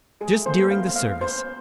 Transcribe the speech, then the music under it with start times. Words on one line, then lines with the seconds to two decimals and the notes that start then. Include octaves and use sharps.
Just during the service.
0.21 G#3 G#4
0.34 A3
0.46 A#3 C5
0.58 B3
0.71 C#4 F5
0.96 F5
1.21 B3 C5